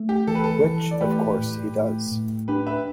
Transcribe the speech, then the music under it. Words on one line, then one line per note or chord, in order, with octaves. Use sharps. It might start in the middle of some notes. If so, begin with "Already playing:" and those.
Which, of course, he does.
Already playing: A3
G4
E3 A4
B4
A4
E3
D5
A3 G4 B4
A2
A3
A2
D4 G4 B4
B4 E5